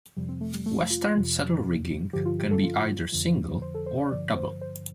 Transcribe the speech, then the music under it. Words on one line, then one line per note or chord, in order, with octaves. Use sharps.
Western saddle rigging can be either single or double.
F2 C3 F3 G3
C4
A3
G3
A3
F4
F2 C3 F3
G2 D3 F3 G4
F4
G4
A4
F4
F2 D3 F3
C5
A4
C5
D5
G2 D3 F3 D5
C5
C5